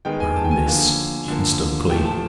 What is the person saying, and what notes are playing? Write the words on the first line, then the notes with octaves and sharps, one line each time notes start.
Burn this instantly.'
D#3 G#3 B3 G5
G#5
A5
G5
G#5
D3 F3 A#3
D3 F3 A#3
A#2 F3 A3 G5
A5